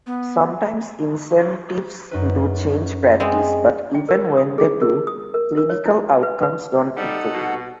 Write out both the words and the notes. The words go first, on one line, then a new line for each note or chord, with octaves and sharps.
Sometimes incentives do change practice, but even when they do, clinical outcomes don't improve.
B3
F#2 D#4 B4
G#3 B3 C4
G5
A#4
D#6
G#4
A#4
D#6
A#4
A#4
C#5
E4
B4
B4
G3 D#4 A4 F#5
C2 B2 F#4